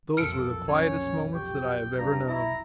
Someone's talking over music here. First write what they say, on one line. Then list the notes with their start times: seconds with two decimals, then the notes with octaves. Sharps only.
Those were the quietest moments that I have ever known.
0.17 B1 F2 A#2 A4 F6 C#7 D7
0.68 C#4 C#5
1.34 G4 G5 C#6
1.98 G2 A#5
2.28 E4 A#5